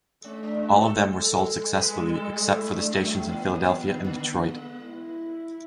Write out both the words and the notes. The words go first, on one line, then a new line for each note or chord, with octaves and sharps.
All of them were sold successfully except for the stations in Philadelphia and Detroit.
A3 C#4
D4
F#4
A4
G#3
G#3 B4
G#4
A4
A4
G#4
A3 E4
D4
F#3
E3
E3 B3
F#3
E3
D3
D3
G#3
E4